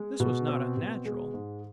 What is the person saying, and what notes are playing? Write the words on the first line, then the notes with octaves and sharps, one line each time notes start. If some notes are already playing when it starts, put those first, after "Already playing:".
This was not unnatural.
Already playing: G#3
B2
C4
B2
G#3
G#2